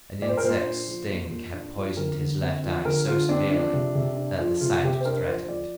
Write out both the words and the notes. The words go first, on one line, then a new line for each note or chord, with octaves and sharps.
An insect's sting had poisoned his left eye so severely that the sight was threatened.
A#2 D5
C5
A#4
A#2 C5
D4
F3
A#2
A#2
D4
F3
D3 A#4
D3
C4
F3
D3 A#4
D3 F4
C4 D4
F3 D4
C3
C3
D4
F3
C3 F4
C3 G4
C5
D4 A#4
A#4
F3 C5
F3 D5